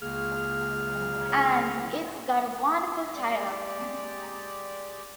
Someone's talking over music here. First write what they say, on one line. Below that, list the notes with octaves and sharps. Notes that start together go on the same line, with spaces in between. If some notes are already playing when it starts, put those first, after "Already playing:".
And it's got a wonderful title.
C#2 C#3 A#3 G#4 F6
G#3 G4 D5